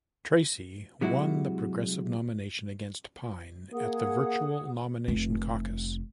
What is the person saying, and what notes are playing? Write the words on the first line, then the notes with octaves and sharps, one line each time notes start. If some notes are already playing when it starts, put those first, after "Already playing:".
Tracy won the Progressive nomination against Pine at the virtual nomination caucus.
C3 F#3 G#3 E4 F#4
A#3 G#4 F#5 D#6
F1